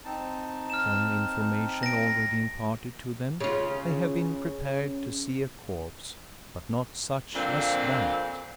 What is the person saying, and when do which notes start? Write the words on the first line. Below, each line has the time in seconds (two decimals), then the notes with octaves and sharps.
From information already imparted to them they have been prepared to see a corpse, but not such as that!
0.05 C4 D#4 A5
0.70 F6 E7
1.83 A#6 D7
3.40 C#3 F4
7.35 F2 A#2 D3 C4 F5